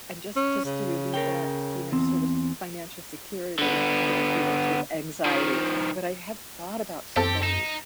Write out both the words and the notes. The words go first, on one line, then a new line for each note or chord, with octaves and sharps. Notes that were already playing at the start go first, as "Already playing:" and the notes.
And just just to relieve that, you know, sort of financial security, dil you know, sort of anxiety, but I hadn't thought about somebody's
C#4
C#3
A#4 C#5 G5
E2 C4
D3 B3
D#3 F3
F#2 C4 G4 A4
D#4 E7